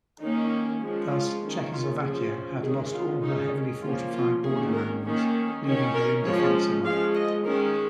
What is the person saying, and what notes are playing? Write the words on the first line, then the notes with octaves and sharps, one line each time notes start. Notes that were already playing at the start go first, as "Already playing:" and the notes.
Thus Czechoslovakia had lost all her heavily fortified borderlands, leaving her indefensible.
D#3 A#3 C#4 D#4
F3 G#3 C#4
F4
D#3 A#3 C#4
F4
F3 C#4 G#4
D#3 G#3 C#4 G#4
F4
D#3 G#3 C#4 D#4
F3 A#3 C#4 F4
F4
D#3 A#3 C#4 G#4
A#4
D#3 A#3 C#4
D#3 C#4
A#4
F3 G#3 C#4 C#5
F3 G#3 C#4 F5
D#5
D#3 G#3 C#4 A#4